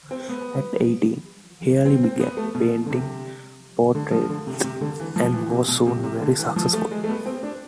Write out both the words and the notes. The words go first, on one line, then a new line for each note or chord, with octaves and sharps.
At eighteen, Healy began painting portraits, and was soon very successful.
C4
B3
C4
C4
B3
A3
B2
D3
C3
D3
F3
D3
C3
C3
D3
E3
F3
E3
C3
B2
C3
C3
D3
E3
F3
A3
G#3
A3
B3
C4
D4